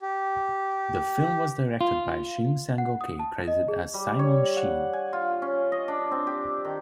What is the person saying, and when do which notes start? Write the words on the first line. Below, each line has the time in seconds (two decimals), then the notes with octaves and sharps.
The film was directed by Shin Sang-ok, credited as "Simon Sheen".
0.01 G4
1.81 F4
2.78 F#5
3.01 D#6
3.19 A5
3.48 D#5
3.68 G#4
3.94 G3
4.19 C#5
4.56 F#5
4.93 G#5
5.13 F4
5.42 C#4
5.72 D#5
5.88 D4
6.11 C4
6.27 G4
6.65 D#3